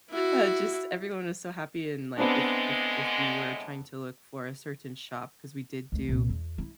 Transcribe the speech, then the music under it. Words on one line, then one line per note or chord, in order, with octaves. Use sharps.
Uh, just everyone was so happy and, like, if if if we were trying to look for a certain shop 'cause we did do,
E4 F#4
A2 D3 G#3 B3 C4 D4
D2 E3
C2 A#2
E2
E4